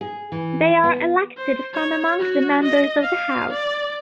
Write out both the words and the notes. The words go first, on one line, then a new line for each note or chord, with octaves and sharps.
They are elected from among the members of the House.
G#4
E3
B3
C5
C#5
F#4
D#5
F5
D5